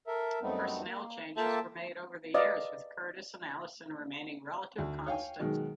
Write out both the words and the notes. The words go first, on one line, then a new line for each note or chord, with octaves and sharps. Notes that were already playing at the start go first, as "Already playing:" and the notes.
Personnel changes were made over the years, with Curtis and Allison remaining relative constants.
A4 A#4 E5
F#2 G3 A3 B3 C4 D#4
A#3
A#3 F4 A4 E5 G5 A5
B4 D5 D#5 F5
D2
C#5 F5 G5 G#5
B2 D#3 F#3 G#3